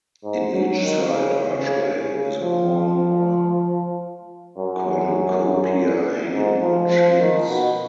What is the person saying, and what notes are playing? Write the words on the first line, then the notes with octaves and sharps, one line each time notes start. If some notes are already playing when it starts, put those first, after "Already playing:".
In each side archway is a horn or cornucopia hanging on chains.
G#2
F#3
D#3
C#3
C#3
C#3
F3
F#2
G#2
F3
F3
D#3
B2